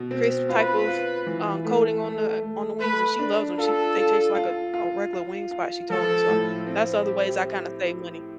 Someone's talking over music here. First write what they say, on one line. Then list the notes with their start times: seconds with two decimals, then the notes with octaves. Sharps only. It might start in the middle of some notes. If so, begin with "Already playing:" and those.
crisp type of, um, coating on the on the wings and she loves 'em, she they taste like a a regular wing spot, she told me. So that's the other ways I kinda save money.
Already playing: B2
0.11 C4
0.49 F4 B4
0.88 F4
1.27 E3
1.65 A3
2.04 A3
2.42 A3
2.80 A3 B4
3.19 D4
3.58 F4 A4
3.97 F4
4.35 F4
4.74 F4
5.13 F4
5.51 F4
5.90 F3 A4
6.29 A2
6.67 C4
7.06 G4